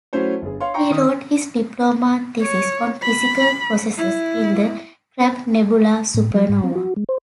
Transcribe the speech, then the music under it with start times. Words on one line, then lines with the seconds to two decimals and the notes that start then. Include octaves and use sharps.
He wrote his diploma thesis on physical processes in the Crab Nebula Supernova.
0.13 F#3 A3 C#4 E4 C5 C#5
0.42 G1 G#4
0.61 C#5 F5 C6
0.74 G5 A#5 C6 C#6
0.90 D#3 D#6
2.41 C#5
3.02 B5
3.97 E4
6.14 A2
6.35 F#3
6.49 G#2
6.64 C4
6.75 F#4
6.96 G#3
7.09 C5